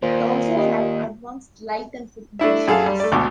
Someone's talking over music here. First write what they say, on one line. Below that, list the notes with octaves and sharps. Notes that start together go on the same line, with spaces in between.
It also had advanced light and food industries.
D#2 A#2 C5
G4 D#5
A3 D4 E4 E5
F#2 G#4 A4 F5 A5
G3
A3 D5
G#1 D2 B2 D6